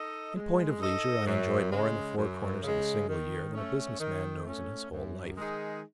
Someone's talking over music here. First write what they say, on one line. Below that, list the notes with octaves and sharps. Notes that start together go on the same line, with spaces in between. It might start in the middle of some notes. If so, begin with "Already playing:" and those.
In point of leisure, I enjoy more in the four corners of a single year than a business man knows in his whole life.
Already playing: D#4 A4 D#5
G#3
D#4 A4 D#5
F#2
C#3 G#3
F#2
C#3 G#3
D#3
A3 C#4
D#3
A3 C#4
F#2
D#3 G#3 D#4 G#4